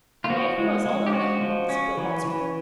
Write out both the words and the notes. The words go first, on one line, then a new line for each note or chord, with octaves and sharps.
A man who has all the money he wants but wants more.
F4
F3 F#4
G#3
G#3
G4
F3 F#4
F3
C#4
E3
E3